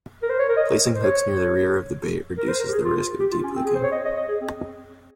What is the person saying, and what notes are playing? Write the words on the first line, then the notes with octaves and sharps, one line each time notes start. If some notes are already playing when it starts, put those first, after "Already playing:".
Placing hooks near the rear of the bait reduces the risk of deep hooking.
A#4
C5
C#5
A#4
D#5
C5
C#5
A#4
C5
A#4
G4
G#4
F4
G4
F4
C#4
C4
G#4
C5
C#5
D#5
D#5
D#5
G#4
C4